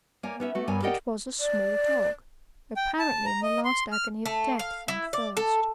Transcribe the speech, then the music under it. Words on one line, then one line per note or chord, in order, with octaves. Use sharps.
It was a small dog, apparently in the last agony of death from thirst.
A#3 C#5 D5 G#5
B3 C#4 E5
A3 F#4
G2 A#3 B3 C#5 D5 G#5
G4 A#4 D5 D#5 F#5 G5
D5
G5
A5
A#5
D#5
C6
F6
A3
F5
E4
D5
A4